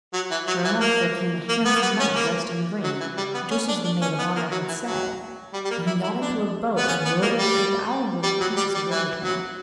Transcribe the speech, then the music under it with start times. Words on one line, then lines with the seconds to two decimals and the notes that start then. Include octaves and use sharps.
Sure enough there came a handsome knight dressed in green, just as the maid of honour had said, and he got into a boat and rowed over to the island where the princess awaited him.
0.14 F#3
0.31 E3
0.48 F#3
0.65 E3
0.81 A#3
1.49 A#3
1.65 B3
1.75 A#3
1.82 B3
2.00 C#4
2.16 A#3
2.84 F#3
3.00 E3
3.17 G3
3.34 B3
3.51 C#4
3.68 D4
3.84 D4
4.02 C#4
4.19 B3
4.36 A#3
4.52 F#3
4.69 E3
4.86 F#3
5.54 G3
5.65 G3
5.70 A#3
5.87 E4
6.04 E4
6.21 D4
6.77 B3
6.88 C#4
7.05 B3
7.22 A#3
7.39 G3
8.23 G3
8.41 F#3
8.57 G3
8.75 G3
8.91 E3
9.24 F#3